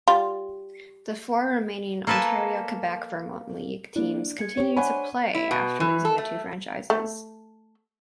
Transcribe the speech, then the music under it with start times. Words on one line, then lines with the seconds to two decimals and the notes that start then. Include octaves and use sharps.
The four remaining Ontario–Quebec–Vermont League teams continued play after losing the two franchises.
0.08 G3 F4
2.07 A#3 A4 B4 G#5 A5
3.96 A#3 D4 E4
4.38 G#3 G#6 C#7
4.57 G4 C#5
4.76 D4 C5 C#5 F#5 G#5 B5 D#7
5.35 E4
5.51 B2
5.80 E3
6.05 A4
6.18 A3
6.90 A3